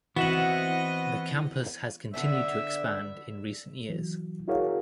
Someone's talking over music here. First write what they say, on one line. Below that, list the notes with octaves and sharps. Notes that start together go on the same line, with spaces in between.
The campus has continued to expand in recent years.
E3 B3 C4 F#4 D#5 E5 F#5
D3 B3 D4 E5
E3 F#3
E4 F#4 G#4 A#4 C#5 F5